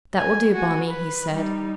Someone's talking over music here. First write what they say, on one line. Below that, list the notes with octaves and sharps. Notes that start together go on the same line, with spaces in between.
"That will do Bonni," he said.
G#5
F#4 G#5
B4
G3 D#4